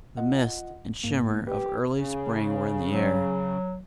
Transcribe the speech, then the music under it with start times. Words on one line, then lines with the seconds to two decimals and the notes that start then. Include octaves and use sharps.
The mist and shimmer of early spring were in the air.
0.17 F4 D#5 F#5
1.03 G#2 A#3
1.47 G4 B4
1.97 C#3
2.89 F#3